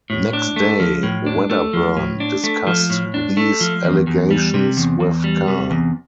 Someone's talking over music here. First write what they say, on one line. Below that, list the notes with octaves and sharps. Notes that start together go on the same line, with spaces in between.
Next day Wedderburn discussed these allegations with Carr.
A2
D4
A3
F3
A2
D4
A3
F3
A2
D4
A3
F3
A2
D4
A3
F3
E2
E2
G3
C3
E2
E2
G3
C3
E2